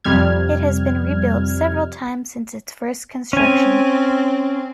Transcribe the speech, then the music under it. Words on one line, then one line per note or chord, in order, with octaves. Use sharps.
It has been rebuilt several times since its first construction.
F2 C3 G3 F6 G#6
C4 C#4 G#5